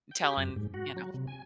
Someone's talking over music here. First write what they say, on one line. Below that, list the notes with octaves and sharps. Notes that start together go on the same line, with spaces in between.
telling you know,
G5
G4
F#2
G#2
F#4
F#3
C3
G#5